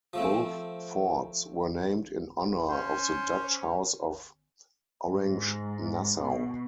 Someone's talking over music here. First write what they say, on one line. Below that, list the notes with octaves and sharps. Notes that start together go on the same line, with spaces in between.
Both forts were named in honor of the Dutch House of Orange-Nassau.
F3 A3 C4
C#4 C5
G#2
B2